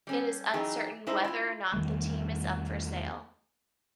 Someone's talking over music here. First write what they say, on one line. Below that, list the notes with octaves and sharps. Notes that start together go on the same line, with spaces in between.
It is uncertain whether or not the team is up for sale.
G3 C#4 A4
E3 F#3 D#4 G4 G#4
G#3 D#4 E4 C5
E4 F4
E2 D#3 G3 A3